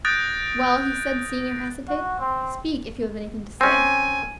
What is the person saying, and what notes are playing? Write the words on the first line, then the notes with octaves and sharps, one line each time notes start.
"Well," he said, seeing her hesitate, "speak, if you have anything to say."
D#6 F#6 G6 A6 A#6 D7
F#4
C4
C4 C#4 G#5